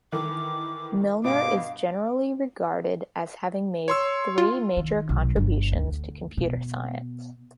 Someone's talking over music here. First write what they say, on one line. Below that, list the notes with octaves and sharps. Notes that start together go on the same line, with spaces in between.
Milner is generally regarded as having made three major contributions to computer science.
D#3 E3 A4 D6
G2 B2 F5 D6
C#5 C6 E6
F4
D#3
B1
G1
D2
B2